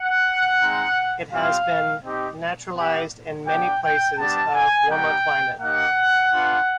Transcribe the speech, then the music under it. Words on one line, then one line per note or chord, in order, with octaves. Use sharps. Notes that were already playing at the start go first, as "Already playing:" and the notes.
It has been naturalized in many places of warmer climate.
Already playing: F#5
G#3 C4 D#4
G3 C4 F4 F5
C4 D#4 G4
B3 E4 G4
B3 D4 G4 G5
G5
G3 B3 D4 A5
G#5
G3 B3 D#4 G4 G5
A#3 D#4 G4 F#5
B3 D4 F4